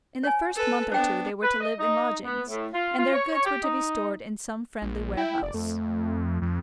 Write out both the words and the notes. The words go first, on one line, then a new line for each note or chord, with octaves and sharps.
In the first month or two they were to live in lodgings, and their goods were to be stored in some friendly warehouse.
C#5 G#5
A4 B4
B3 D4 C5 G5
B4
D#5
D#4
B3
A2
F4
F4
C#5
C#5
G4
D#4
A#1
E4 G5
F1 D5
F2 A3
F2